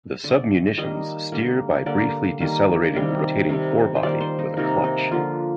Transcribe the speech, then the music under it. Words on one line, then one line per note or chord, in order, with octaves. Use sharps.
The sub-munitions steer by briefly decelerating the rotating fore-body with a clutch.
D3 A3 D5
D#3 G3 A#3 D#5
D3 G3 A#3
D3 G3 A#3 D5
D#3 G3 A#3
C3 D#3 G3
C3 D#3 G3
C5
D#3 G3 A#3 D5
C5
D#4
C3 D#3 A#3 D#4
D#4
D3 F3 A#3 F4